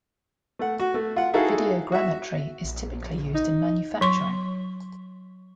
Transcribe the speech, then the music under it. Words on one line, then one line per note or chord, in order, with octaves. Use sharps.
Videogrammetry is typically used in manufacturing.
A3 F#5
F#4
A3
F4 F#5
D#4 E4 F#4 G#4 A4 F5
F#4 E5
A#1
D#4
F#3 C6 C#6